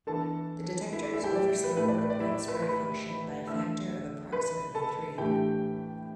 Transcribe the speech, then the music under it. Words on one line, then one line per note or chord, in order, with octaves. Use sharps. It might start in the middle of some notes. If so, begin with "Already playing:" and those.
The detectors oversample the point-spread-function by a factor of approximately three.
E3 B3 D4 A4 A5
E4 E5
D5
E4 E5
G4 G5
D5
D5
B4
A2 A3 E4 B4
D5
B4
D5
E4 E5
D5
B4 B5
B4 B5
E3 A3 D4 E5 E6
B4 B5
A4 A5
A2 E3 A3 D4 G4 G5